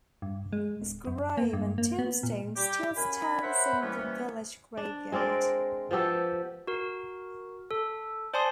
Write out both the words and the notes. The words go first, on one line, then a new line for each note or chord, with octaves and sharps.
His grave and tombstone still stands in the village graveyard.
G2
G#3
D1
F#2
A#3
G2
A#3
B3
A#2
G3 G4
F#2 A#4 G#5 B5
A#4 C5 C#5 E5 F#5 B5
C3 E3 G3 A#3 B3 C#4
D4
G#3 C4 A#4 D5
F3 B3 G4 A4
F#4 A#4
A4
C5 D5 G#5 A5 C6 D#6